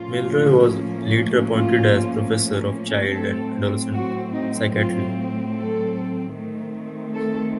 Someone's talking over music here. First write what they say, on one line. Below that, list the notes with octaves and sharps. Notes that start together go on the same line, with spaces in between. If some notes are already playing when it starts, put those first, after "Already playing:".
Milroy was later appointed as professor of child and adolescent psychiatry.
Already playing: A2 F3 A#3 C#4 F4
F4
A2 F#3 C4 A4
F#4
D#4
F4
A4
D#3 A3 C4
A4